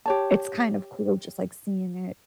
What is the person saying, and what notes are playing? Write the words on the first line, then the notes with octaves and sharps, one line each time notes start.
it's kind of cool just, like, seeing it
G4 C#5 A5